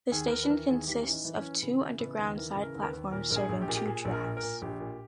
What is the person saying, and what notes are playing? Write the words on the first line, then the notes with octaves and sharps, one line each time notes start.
The station consists of two underground side platforms serving two tracks.
D#2 G#4
B4
D#2 A#4
B4
E3 A#4
D#2 G#4
E3 G4
E3 C#4
D#4
E3
C#4
E3
C#3 B3
E3
C#3 B3
D#2
E3 A#4
C#3
A#4
D#2
A#4
B4
D#2
A#2 A#4
A#1 A#4
G#4
A#1
G4
A#2 G#4
G4
A#2 G#4
A#1
A#4
A#2
A#4
A#2
A#1 G4
A#2